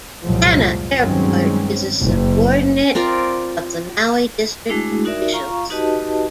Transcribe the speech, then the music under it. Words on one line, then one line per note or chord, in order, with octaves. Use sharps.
Hana Airport is a subordinate of the Maui District officials.
C2 F2 A#2 F3 F#3 G#3
G2 D#3 F#3 G#3 C4 C#4
F#1
C4 F4 A#4 D5
G#3 A3 D4 E4 F#4 G#4
D#4 F#4 A#4 D5 E5
F4 F5 A#5 C#6
D#4 F#4 G4 B4 D#5 A5